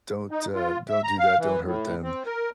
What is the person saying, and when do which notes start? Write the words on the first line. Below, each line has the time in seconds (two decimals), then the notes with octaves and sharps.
don't, uh don't do that, don't hurt them."
0.31 D#4
0.55 F4
0.88 E5
1.03 A#5
1.19 F5
1.38 E3
1.65 A2
2.03 C4
2.26 A#4